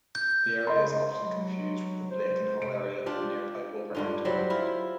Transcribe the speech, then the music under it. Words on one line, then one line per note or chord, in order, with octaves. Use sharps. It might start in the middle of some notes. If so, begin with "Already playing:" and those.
The area is often confused with the Blakenhall area of nearby Wolverhampton.
G6
C#3 D#5 B5 C6
F#3
C5
C3 D7
D4 F4 G4
G2 D3 F4
F#3 G3 E4 C5
E4 F4